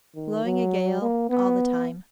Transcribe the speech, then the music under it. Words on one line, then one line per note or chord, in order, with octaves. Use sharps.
Blowing a gale all the time.
D#3
F#3
A#3
B3